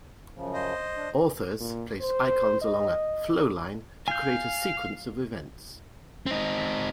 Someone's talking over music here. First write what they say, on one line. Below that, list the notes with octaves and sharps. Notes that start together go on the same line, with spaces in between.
"Authors" placed icons along a "flowline" to create a sequence of events.
F#2 C#3 F3
C5 D#5
D4
A#2
C5
D#5
F5 G#5 G6
C4 D#4